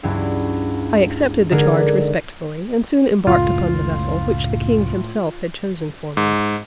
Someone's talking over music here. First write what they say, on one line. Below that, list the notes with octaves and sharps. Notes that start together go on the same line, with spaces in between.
I accepted the charge respectfully, and soon embarked upon the vessel which the king himself had chosen for me.
C#2 G2 F#3 E4
D3 G#3 D#4 G#4 A#4 D5
C#2 F#2 A2 F4
G#2